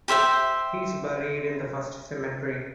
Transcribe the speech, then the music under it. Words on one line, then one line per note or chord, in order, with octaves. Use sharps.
He is buried in the First Cemetery.
G4 C5 E5 G5